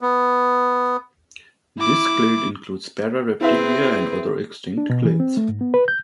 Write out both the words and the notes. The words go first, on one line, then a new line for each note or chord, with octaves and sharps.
This clade includes Parareptilia and other extinct clades.
B3
E4 D6
C4 E4 G#4 B4 E5
D4
B2
E3
C4
A3
G#2
B3
B4
G6